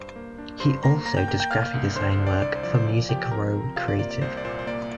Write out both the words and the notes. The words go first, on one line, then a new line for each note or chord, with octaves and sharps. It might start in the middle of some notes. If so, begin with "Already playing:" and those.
He also does graphic design work for Music Row Creative.
Already playing: G2 C5
A#3
D4
G2 C5 C6
A#3 A#5 A#6
A#3 A#5 A#6
G5 G6
A#3 G5 G6
G5 G6
A#3 F5 F6
C2
D3 C5 C6
C5
D4
D5
C2 D5
C5
F3 D5
C5
A#2 D5
F3 G4 G5
G5
C4 A#4 A#5
C4
C3 F4 F5
D5
A#3 D5
D5
C2 C5
D5
A#2 C5
C5
A#3 D5